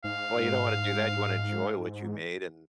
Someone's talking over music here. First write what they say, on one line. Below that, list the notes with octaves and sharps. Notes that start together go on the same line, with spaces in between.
Well, you don't wanna do that, you wanna enjoy what you made, and,
G#2 F5